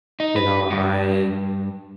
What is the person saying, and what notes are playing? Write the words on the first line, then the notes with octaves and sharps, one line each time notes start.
you know, I
D#4
B4
G2